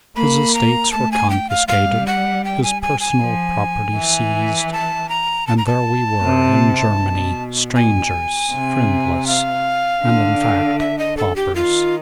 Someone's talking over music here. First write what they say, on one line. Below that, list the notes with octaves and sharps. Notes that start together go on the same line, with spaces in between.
His estates were confiscated, his personal property seized, and there we were, in Germany, strangers, friendless, and in fact paupers.
A#3 B5
A#5
A3 A5
G#5
G5
F5
G3 F5
F#5
G5
G#5
G#5
G#5
F3
E3
A5
A#5
A5
A#5
A5
C3
B2
G#5
C3
F5
D3
E5
D#5
A4
G4
D#3 F4